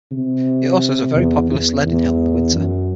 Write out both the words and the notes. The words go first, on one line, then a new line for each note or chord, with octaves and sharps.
It also has a very popular sledding hill in the winter.
C3
E2
E2
E2
F#2